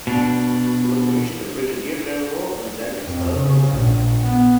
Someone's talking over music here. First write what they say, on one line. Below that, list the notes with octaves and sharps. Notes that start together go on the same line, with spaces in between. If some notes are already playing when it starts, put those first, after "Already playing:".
He was commissioned a brigadier general and then expelled from the Senate.
B2 D4
F2
C#3
A#1
B3